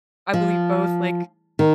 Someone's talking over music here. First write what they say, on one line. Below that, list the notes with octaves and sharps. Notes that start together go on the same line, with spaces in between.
I believe both, like,
F3
D#3